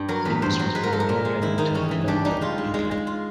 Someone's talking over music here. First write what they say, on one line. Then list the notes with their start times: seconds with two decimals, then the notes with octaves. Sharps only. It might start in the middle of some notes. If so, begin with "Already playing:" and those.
Sims was born in Kennington, London, England.
Already playing: G2
0.09 F#3 A#4
0.25 E2 B4
0.42 G2 C5
0.59 F#3
0.75 G#3 B4
0.83 A#4
0.92 F3 A4
1.00 A#4
1.09 A#2
1.25 G#3
1.42 D#3 E4
1.58 D#3 D#4
1.74 E3 C#4
1.91 E3
2.08 G3 D4
2.25 G3 D#4
2.41 G#3 F4
2.58 G#3
2.74 G#3
2.91 G#3
3.07 F4